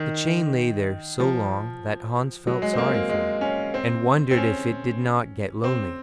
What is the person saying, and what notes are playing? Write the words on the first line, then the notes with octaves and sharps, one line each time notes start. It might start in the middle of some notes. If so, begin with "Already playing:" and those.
The chain lay there so long that Hans felt sorry for it, and wondered if it did not get lonely.
Already playing: D#3
F3
F#3
G#3
C4
A#3
A#3
G#3
C#4
C4
C4
C#4
C4